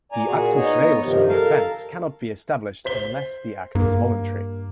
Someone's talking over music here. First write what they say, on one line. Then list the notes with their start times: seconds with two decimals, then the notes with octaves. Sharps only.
The Actus Reus of the offence cannot be established unless the act is voluntary.
0.12 D5 G#5 A#5
0.26 A#2 F#4 G#4
0.57 B3 D#4 C#5 D#5
1.01 G2 C3 D#3 F3
1.29 A4 A#4 F5
2.85 C5 B6 G7
3.75 G2 A#3